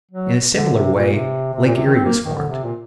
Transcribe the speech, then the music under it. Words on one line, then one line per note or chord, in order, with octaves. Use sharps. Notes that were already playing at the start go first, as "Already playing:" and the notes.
In a similar way Lake Erie was formed.
F#3
D3
C3
A#2
C3
C3
A#2
C3
D#3
C4
A#3
D#3
D3
C3
A#2